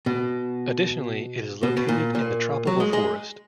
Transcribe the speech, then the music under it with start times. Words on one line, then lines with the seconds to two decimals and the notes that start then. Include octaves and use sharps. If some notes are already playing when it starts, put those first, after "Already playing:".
Additionally, it is located in the tropical forest.
0.06 B2
1.63 B2
1.77 B2
1.88 A#2
2.15 A#2
2.67 F#3
2.80 G#3
2.93 G#3